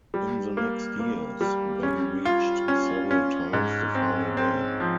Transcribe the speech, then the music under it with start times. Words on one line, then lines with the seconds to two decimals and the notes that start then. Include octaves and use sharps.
In the next years, they reached several times the final game.
0.14 G3
0.57 A#3
1.00 A#3
1.41 G3
1.83 C#4
2.25 F4
2.68 C#4
3.11 C#4
3.53 G#2
3.95 C4
4.37 C4
4.80 F3